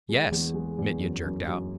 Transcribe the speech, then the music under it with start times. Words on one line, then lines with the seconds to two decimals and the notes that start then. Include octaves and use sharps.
"Yes," Mitya jerked out.
0.09 G#3
0.32 E2
0.54 G#3
0.78 E2
1.00 F#2
1.24 F#2
1.48 F#2